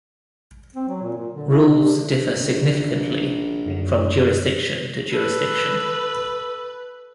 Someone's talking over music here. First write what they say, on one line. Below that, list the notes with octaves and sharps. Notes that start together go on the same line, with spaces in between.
Rules differ significantly from jurisdiction to jurisdiction.
C4
F#3
A#2
A#2
D3
E4
C3
D4
A#1
F#2 D3 F#3
A4 B4